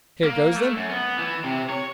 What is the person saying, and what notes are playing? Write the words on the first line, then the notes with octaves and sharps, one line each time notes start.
Here goes then ...
A#3
A3
F#2
B3
E3
C3
C#5